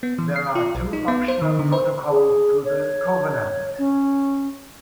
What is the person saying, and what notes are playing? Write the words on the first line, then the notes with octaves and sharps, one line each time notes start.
There are two Optional Protocols to the Covenant.
B3
E3
C7
F4
B1
D#4
B3
C5
D#3
D3
C5
G#4
C#5
C#4